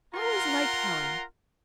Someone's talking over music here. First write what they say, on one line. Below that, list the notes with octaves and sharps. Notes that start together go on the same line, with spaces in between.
I always liked Helen.
F4 A#4 F#5 A#5 C6